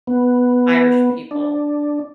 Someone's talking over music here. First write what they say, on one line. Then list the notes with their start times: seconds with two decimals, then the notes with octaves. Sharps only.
Irish people.
0.07 B3
1.31 D4